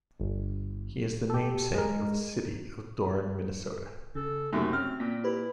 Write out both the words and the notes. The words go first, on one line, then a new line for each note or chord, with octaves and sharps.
He is the namesake of the city of Doran, Minnesota.
G1
G4 A4
G#3 A#4
C#3 A4
F#2 C3 F#3 A3 A#3 D#4
C4 C#4 F6
A#2 A#6 B6
E4 G4 A#4 B4